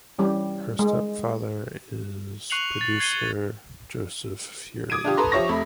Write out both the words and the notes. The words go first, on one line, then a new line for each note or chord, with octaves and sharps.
Her stepfather is producer Joseph Feury.
E3 G3 C#4 G4
G#3
C#6 F#6 C7 C#7 F7 F#7
A6
G#6 C7 D#7 G7
D6 D#6 G#6 D7 D#7
D4 F4 G4
A4 B4 A#5 C6
F3 G4 C#5 E5 C#6 A#6
F1 A3 B5